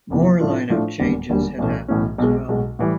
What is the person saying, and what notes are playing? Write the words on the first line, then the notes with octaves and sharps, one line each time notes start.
More lineup changes had happened as well.
F#1 E2 C3 E3
A2 F3 A3 D4 F4
A2 F3 A3 D4 F4
E1 D#2 D3 G3
E1 D#2 D3 G3
B1 A2 E3 A3 C#4
B1 A2 E3 A3 C#4
B1 B2 G#3
B1 B2 G#3
A2 E3 G3